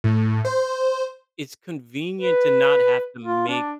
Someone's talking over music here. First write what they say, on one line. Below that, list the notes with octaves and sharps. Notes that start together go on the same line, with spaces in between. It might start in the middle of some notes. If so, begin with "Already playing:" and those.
it's convenient to not have to make
A2
C5
B4
F4
D4